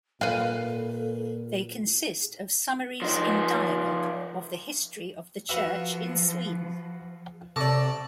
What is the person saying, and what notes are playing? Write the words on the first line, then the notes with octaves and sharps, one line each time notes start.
They consist of summaries in dialogue of the history of the church in Sweden.
A#2 A4 B4 F5
F3 D#4
F3 F#4 B4 E5 F5
C3 A4 D5 C#6 D6 A#6